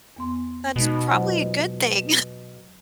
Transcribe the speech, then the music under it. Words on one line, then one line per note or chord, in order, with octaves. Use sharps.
That's probably a good thing.
E2 B3 C6
B2 G#3 D#4
F#3 F4 C5